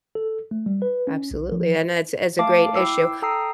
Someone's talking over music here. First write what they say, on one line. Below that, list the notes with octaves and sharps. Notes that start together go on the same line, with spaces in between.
Absolutely, and that's that's a great issue.
A4
A3
G3
B4
C#4
B1
F3
A3 F5 A5 D6
E4 G5 D6 E6 C7
A4 G5 A#5 D#6 E6 C7